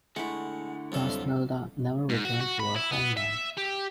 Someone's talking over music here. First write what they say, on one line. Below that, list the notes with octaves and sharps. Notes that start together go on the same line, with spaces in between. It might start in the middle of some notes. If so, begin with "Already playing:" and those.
Thusnelda never returned to her homeland.
D3 G#3 A3 E4 F#5
F2 C3 F#3 G3 A4
G#2
F#4
F#4
B5
E4
B3
E5
G4